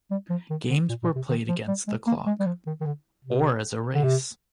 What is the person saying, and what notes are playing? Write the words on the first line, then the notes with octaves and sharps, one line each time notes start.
Games were played against the clock, or as a race.
G3
F3
D#3
D3
A#2
A#2
C3
D#3
F3
G3
G#3
A#3
G#3
G3
F3
D#3
D#3
D3
C3
D3
C3